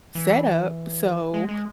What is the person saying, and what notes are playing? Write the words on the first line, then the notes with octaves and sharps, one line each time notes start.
setup, so
E3
G#3
G#3